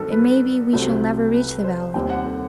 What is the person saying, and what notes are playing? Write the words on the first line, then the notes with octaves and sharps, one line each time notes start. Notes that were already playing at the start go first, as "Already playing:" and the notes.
It may be we shall never reach the Valleys.
Already playing: G2 D#3 F#3 C4 A4
B4
C2 C3 F#3 A3 C4
B4
C5
D#2 D#3 G3 C4 G5
F#5
A4